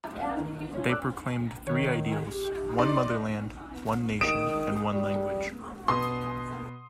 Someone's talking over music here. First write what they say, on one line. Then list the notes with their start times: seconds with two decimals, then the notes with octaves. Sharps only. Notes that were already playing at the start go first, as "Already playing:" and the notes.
They proclaimed three ideals, one motherland, one nation and one language.
0.19 C#4 D5 F5 F#5
0.37 D#3 D#4
0.74 F4 C#5
0.88 D5 D6 E6 F#6
1.67 D#3 C#5
2.31 G4
2.79 D#4 D5 C6
4.21 D#3 D#6 D7 E7
4.93 G3
5.88 B2 C6 D#6